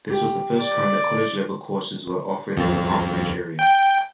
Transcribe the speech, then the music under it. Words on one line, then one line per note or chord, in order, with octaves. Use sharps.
This was the first time that college-level courses were offered in the Anchorage area.
G4
D5
F2
G5